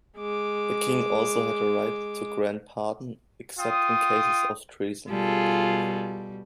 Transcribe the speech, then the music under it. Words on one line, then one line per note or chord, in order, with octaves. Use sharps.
The king also had the right to grant pardon except in cases of treason.
G#3 D6
F4 G5 D#6
B2 G3 F4 G#4 A4